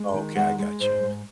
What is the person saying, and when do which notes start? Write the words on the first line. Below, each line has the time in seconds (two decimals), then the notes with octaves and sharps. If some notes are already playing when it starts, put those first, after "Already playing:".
Okay, I gotcha,
Already playing: G#3
0.14 D#3
0.35 G#3 F#5
0.58 G#3
0.80 G#2 C5
1.03 G#2